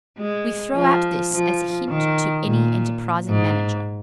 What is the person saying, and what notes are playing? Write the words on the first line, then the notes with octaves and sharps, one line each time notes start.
We throw out this as a hint to any enterprising manager.
G#3
F3
F3
D#3
A#2
G#2